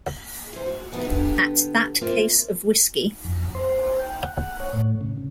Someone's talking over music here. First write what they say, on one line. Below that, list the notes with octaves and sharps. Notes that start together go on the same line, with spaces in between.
At that case of whiskey?
E3 C5
F#4
E3 G3 B3 D#4 E4
D3 B3 G4
A#3 C4 E4 F4
F2
C5
C5
G5
F#5
C#5
A2
C#3